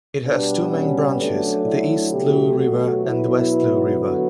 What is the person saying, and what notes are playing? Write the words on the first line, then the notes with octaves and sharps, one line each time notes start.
It has two main branches, the East Looe River and the West Looe River.
B2 G3 B3 D4
C#4
D3 F#3 A3 D4
E4
B2 F#3 A3 G4
F#4
B2 F#3 B3 E4
D3 F#3 B3 F#4